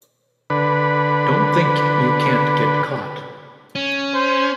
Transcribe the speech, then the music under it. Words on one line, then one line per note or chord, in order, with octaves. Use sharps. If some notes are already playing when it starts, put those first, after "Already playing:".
Don't think you can't get caught.
D3 B4
C#4
C5